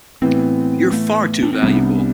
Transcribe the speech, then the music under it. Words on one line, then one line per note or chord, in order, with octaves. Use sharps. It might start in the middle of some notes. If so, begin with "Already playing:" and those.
You're far too valuable!
A2 E3 B3 C4
A3
D4
C4
C2 C3 G3 B3 D4